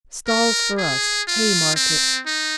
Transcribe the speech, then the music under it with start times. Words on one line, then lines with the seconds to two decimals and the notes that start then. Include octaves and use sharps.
Stalls for us, Haymarket.
0.27 A#4
0.77 G#4
1.27 F4
1.76 C4
2.26 D#4